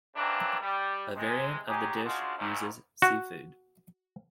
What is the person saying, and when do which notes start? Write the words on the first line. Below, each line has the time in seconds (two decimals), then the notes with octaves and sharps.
A variant of the dish uses seafood.
0.16 C#3 E3 F#3 A#3 C4 D4
0.61 G3
1.15 C3 G#3
1.68 F#3 G#3 D#4 G4 G#4
2.05 C#3 G#3 D4 F4 F#4
2.37 G#1
3.02 F#4